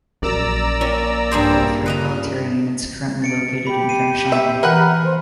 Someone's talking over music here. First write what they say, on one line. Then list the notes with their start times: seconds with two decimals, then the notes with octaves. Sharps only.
There are three military units currently located in Fengshan.
0.22 A#1 F#2 D5 A#5 E6
0.81 A#2 C#4
1.31 G2 G#4 C5
1.86 B4 D#5 A#5
3.22 A6 C#7 D7
3.67 G4 B5
3.89 C7 D#7
4.32 E5
4.63 E3 A#4 B4 F#5
5.06 C5